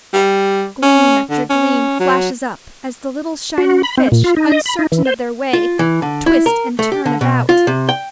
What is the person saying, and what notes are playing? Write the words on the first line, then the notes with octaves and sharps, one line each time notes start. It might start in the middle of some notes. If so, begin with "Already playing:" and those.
Gleam after gleam flashes up as the little shining fish, uncertain of their way, twist and turn about.
G3
C#4
D3
C#4
F#3
F#4
B5
C4
A#2
F4
D#4
D#5
B5
D#4
E3
C5
F4
E3
D3
E4
A#4
A3
G4
D3
B2
F4
C3
G5